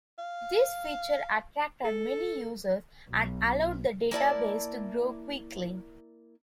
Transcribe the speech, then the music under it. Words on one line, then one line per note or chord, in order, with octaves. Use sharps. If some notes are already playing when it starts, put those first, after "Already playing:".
This feature attracted many users and allowed the database to grow quickly.
F5
A4
B1
A#3 E4 D5 A5